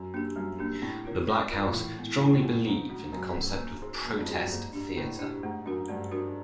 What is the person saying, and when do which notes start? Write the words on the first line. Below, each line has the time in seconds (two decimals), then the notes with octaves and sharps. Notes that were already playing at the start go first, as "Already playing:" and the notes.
The Black House strongly believed in the concept of "Protest Theatre".
Already playing: F#2
0.14 A#3 D4 G4
0.36 F#2 G3
0.59 A#3 D4 G4
0.82 A2 C4
1.05 F4 A#4 C#5
1.28 C4
1.51 F4 A#4 C#5
1.66 A#2
1.74 A2 E3
1.97 G#3 B3 E4
2.20 A2 E3
2.31 A#2
2.42 A2 G#3 B3 E4
2.66 G#2 F#3
2.89 A3 C#4 F#4
3.13 F#2 F#3
3.35 A3 C#4 F#4
3.58 A#3
3.82 D#4 G#4 C5
4.04 F#2 A#3
4.19 F2
4.28 F#2 D#4 G#4 C5
4.40 G2
4.50 G#2 A#3
4.73 D4 G4
4.97 A2 A#3
5.19 D4 G4
5.43 G#2 A3
5.66 F#2 D4 F#4 A#4
5.88 G2 A3
6.11 D4 F#4 A#4